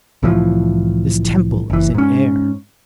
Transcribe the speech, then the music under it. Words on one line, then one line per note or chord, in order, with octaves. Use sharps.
This temple is in air.
C2 A2 E3 F3
F#1 E3
G#2 C#4